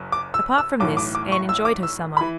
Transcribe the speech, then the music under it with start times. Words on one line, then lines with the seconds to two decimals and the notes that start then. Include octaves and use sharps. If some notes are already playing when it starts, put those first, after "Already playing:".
Apart from this, Anne enjoyed her summer.
Already playing: F#1 F#2
0.12 D6
0.34 E6
0.58 E6
0.80 B1 A2 E3 D6
0.97 D6
1.15 D6
1.32 C#6
1.49 E6
1.65 D6
1.83 E6
2.17 E3 B5